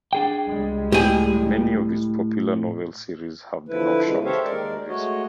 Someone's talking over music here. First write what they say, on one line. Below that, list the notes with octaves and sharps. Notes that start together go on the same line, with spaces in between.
Many of his popular novel series have been optioned for movies.
D4 G#4 G5
C#2 G3 G#3
A2 G4 G#5
D3 F3 E4 B4
C#3 E3 G#3
G4 A4 C5 C#5 E5 F5
G#3 A#4 D5
G#3 A3 F#4 C#5 D#5